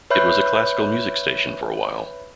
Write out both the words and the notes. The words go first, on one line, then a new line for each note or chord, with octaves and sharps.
It was a classical music station for while.
B4 C#5 E5 B5 F#6 G6